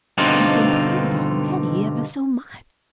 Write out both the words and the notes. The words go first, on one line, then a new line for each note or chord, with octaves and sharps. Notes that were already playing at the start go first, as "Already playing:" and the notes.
You've improved already, ever so much.
G2 B2 D3 C4 D#4 F4